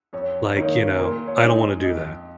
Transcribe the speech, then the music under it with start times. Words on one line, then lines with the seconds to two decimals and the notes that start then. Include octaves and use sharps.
like, you know, I don't wanna do that
0.13 F2 C#5
0.56 D#3 A#3 D#4 C#5
0.99 A#2 A#4
1.27 C#5
1.41 G#3 D#4
1.55 D#5
1.83 F2 D#5